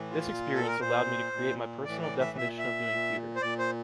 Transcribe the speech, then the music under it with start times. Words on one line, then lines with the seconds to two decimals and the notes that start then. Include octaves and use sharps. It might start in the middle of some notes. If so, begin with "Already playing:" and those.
This experience allowed me to create my personal definition of doing theater.
Already playing: A2 E3
0.11 F4
0.28 A#2
0.54 A4
0.67 A#4
0.80 A#2 C5
1.33 A#2
1.85 A2 E3 D5
2.02 D5
2.20 E5
2.37 A#2 E5
2.58 E5
2.90 A#2
3.36 C5
3.42 A#2 D5
3.58 C5